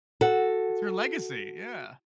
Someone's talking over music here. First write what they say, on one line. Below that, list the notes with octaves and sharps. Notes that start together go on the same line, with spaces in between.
It's her legacy, yeah.
F#4 A4